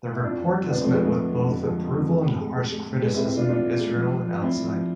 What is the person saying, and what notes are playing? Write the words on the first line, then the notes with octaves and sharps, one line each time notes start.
The report has met with both approval and harsh criticism in Israel and outside.
E4
F2 D4 F4
F2
F2
F2 B3 D4
F3 A3 C4
G#3 B3
D3 A3
F2
D3
D3
F3 G#3
F2
F2
G#3
A2
G#3
G#3
G#3
A2
A2 G#3 B3
C4 E4
G#3
C4 E4
G#3 D4 F4
A2 D4 F4
A2
G#3
F3
F3
F3
A2 C4 E4
F3
F3